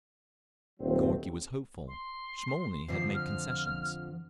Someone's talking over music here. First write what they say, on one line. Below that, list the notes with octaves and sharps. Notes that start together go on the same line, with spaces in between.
Gorky was hopeful; Smolny had made concessions.
D#1 F#3 C4
C6
F2 D3 F3 C7
F6